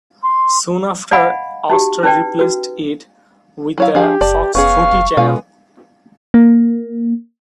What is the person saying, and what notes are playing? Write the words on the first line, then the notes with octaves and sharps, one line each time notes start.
Soon after Austar replaced it with the Fox Footy Channel.
C6
D5 D#5 F5 F#5 G#5 B5
D#4 F#4 G4
C#4 D#4 B4 D5 G5
F#4 B4
F#3 E4 C#5 F5
F3 D4 G4 G#4 F5
F#1 D5 A5
F1 B3 C#4 G#4 F5 C#6
F1
B2 G#3 B3 F4 F5
A#3